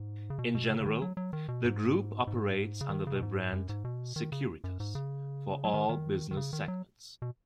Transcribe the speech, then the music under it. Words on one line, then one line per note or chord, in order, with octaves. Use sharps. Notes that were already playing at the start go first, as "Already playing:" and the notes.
In general, the group operates under the brand Securitas for all business segments.
Already playing: G#2
C#3
B2
B2
C#3
C#3
D#3
F#3
F#3
D#3
B2
G#2
G#2
C#3
D#3
C#3
B2
G#2
F#2
G#2
B2
D#3
C#3
F#2
G#2
C#3
F#3
D#3
D#3
D#3
C#3
D#3
F#3
B2